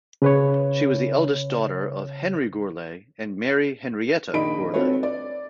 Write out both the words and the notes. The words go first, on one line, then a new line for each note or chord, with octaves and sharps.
She was the eldest daughter of Henry Gourlay and Mary Henrietta Gourlay.
C#3 B4 C#5
A#1 D#3 D4 D#5 B5 D7
C4 F4 F#4 A4 B4 C#5
D5